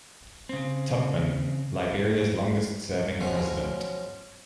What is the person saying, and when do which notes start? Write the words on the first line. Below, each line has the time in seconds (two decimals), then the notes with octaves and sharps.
Tubman, Liberia's longest serving president.
0.49 C#3 C4
3.20 B2 F3 F#3 G#3 C#4